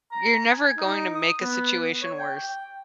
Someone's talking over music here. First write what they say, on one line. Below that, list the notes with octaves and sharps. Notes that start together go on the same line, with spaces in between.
you're never going to make a situation worse
A#5
G#5
D#4
D#6
B3
C#5
G5
G5